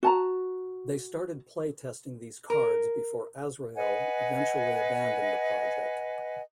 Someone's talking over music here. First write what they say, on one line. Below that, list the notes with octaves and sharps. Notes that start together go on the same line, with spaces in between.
They started playtesting these cards before Azrael eventually abandoned the project.
F#4 A5 A#5
A#4
B4 D#5 F#5 G#5